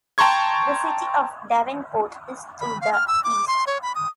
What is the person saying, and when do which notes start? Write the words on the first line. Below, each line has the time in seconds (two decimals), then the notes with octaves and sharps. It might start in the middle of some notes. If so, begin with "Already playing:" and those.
The city of Davenport is to the east.
0.18 G5 A5 A#5 C6 C#6 G#6
2.60 B5
2.81 F5
2.93 F6
3.08 E6
3.24 D6
3.48 C6
3.67 C#5
3.83 B5
3.95 D#6